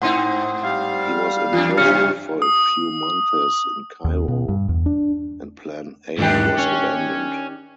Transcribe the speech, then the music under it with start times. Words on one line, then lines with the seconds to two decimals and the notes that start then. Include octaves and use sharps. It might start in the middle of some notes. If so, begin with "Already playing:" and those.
He was imprisoned for a few months in Cairo and Plan A was abandoned.
0.02 G#2 C4 D#4 F#5 C6
0.63 G3 F5
1.53 E2 D4 F4
1.77 F#2 C3 C#4 G4 F6 C#7
2.42 D#6
4.04 D#2
4.28 B2
4.49 G2
4.69 E2
4.86 D4
6.19 E2 G#2 D#3 D4 G4
6.59 C#4